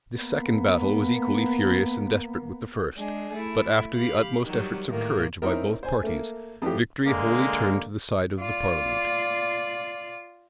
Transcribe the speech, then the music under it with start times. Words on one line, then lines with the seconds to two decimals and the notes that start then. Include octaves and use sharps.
This second battle was equally furious and desperate with the first: but after the utmost efforts of courage by both parties, victory wholly turned to the side of the parliament.
0.16 A#3 B3
2.96 G#3 D4 G#4
3.33 A3 E4
3.94 G4 F5 B5
4.46 D#3 F#3 G3
4.89 A2 D#3 A#3
5.42 C4 C#4 D#4 E4 A#4
5.83 C5 G#5
6.03 A3 A#3
6.62 F2 E3 F3 A3 G4
7.05 D3 G#3 A#3
8.40 F4 D5